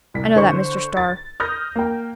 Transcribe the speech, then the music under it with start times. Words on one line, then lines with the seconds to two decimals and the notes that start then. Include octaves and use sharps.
"I know that, Mr. Starr."
0.14 C2 B6
0.36 D3 C5 C#6
0.97 A6
1.40 D#6 F6 G6 A#6
1.76 A#3 G5